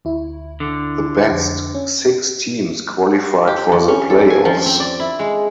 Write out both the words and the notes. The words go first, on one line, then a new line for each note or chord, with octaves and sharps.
The best six teams qualified for the playoffs.
D2 E4
D3
F2
C#4
G4
F2
C#4
A4
G#5
F3
C4
D5
E4
G#3